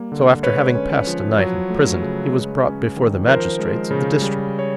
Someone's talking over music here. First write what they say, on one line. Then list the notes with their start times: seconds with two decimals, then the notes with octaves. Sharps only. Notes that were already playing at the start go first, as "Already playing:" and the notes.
So, after having passed a night in prison, he was brought before the magistrates of the district.
Already playing: G3 A#3
0.12 D3
0.43 G#3 B4 C#5
0.75 C#4
1.07 F3
1.38 F#3
1.70 A3
2.02 C#3
2.33 G#3
2.65 C#4
2.97 D#3
3.27 F3 A#4 C5
3.59 G#3
3.91 C#3
4.22 G3
4.59 C#5